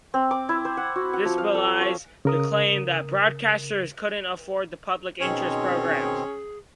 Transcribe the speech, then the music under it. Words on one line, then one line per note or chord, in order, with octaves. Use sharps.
This belies the claim that broadcasters couldn't afford public interest programs.
C4
D6
E4
C5
F#5
F#4
F#5
F3
F5
A4
C#5
C#3 A#4 D#6
B2 D#3 C4 C#4 G#4